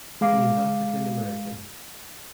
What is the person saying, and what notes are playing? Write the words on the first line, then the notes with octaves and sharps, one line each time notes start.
He is African American.
G#3 F5 D6